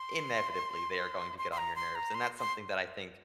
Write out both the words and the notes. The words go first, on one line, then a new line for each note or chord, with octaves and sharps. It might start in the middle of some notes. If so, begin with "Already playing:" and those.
inevitably they are going to get on your nerves, and that's something that I think,
Already playing: C6
C6
C6
A#5
C6
A#5
C6
C6